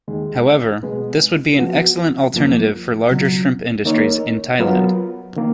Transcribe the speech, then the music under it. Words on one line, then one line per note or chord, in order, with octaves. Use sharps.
However, this would be an excellent alternative for larger shrimp industries in Thailand.
D#2 D#3 G#3
B2 G#3 B3
F3 B3 F#4
F#2 F3 A#3
C#2 B2 F#3
D#3 A#3 D#4 A#4 C#5
F#3 B3 F4 A#4
D#3 A#3